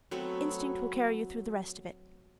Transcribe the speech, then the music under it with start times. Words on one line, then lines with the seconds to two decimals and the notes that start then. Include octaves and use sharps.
"Instinct will carry you through the rest of it."
0.11 F#3 A3 B3 C4